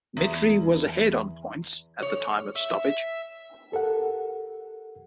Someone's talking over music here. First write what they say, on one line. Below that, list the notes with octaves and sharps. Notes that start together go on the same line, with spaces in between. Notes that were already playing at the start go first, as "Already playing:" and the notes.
Mitri was ahead on points, at the time of stoppage.
E2
C#5
E5
G4 A4 A#4 F#5